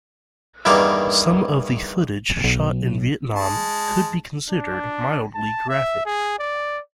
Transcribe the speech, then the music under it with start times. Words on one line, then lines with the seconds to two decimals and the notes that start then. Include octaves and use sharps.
Some of the footage shot in Vietnam could be considered mildly graphic.
0.65 E2 G2 D#3 A#3 D6
2.44 B1
3.36 G#3 A5
4.50 D4
5.35 A5
5.69 E5
6.06 G#4
6.39 D5